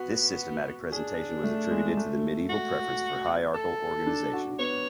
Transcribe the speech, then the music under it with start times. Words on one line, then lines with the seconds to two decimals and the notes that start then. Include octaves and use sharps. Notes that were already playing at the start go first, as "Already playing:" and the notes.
This systematic presentation was attributed to the Medieval preference for hierarchal organization.
Already playing: B3 F#4
0.92 D4 G#4
1.44 A3
1.71 G#3
1.97 A3
2.49 F#4
3.54 A4
4.06 D4
4.33 F#4
4.59 B3 C#5